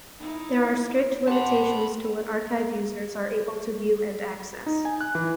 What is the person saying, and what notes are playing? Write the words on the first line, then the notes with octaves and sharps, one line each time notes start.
There are strict limitations to what archive users are able to view and access.
D#4 E4
G4 F#5 A5 B5 C6
D#4
G#5
F#6
E3